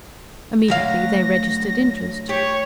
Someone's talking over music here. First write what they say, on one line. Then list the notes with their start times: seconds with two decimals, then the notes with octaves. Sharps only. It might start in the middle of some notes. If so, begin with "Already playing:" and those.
Immediately, they registered interest.
0.68 D2 F#3 F5 A#6
2.29 G4 C#5